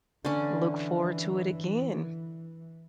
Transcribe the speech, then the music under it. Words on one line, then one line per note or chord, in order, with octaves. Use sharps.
Look forward to it again.
D3 E3 C#4